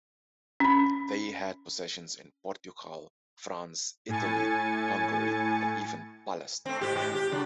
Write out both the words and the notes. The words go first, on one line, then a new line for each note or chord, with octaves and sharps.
They had possessions in Portugal, France, Italy, Hungary, and even Palestine.
C#4 B5
A2 G#5 A6 C#7
A3 C4
G#2 G4
G#2 G4
G4
C#3 F#3 D4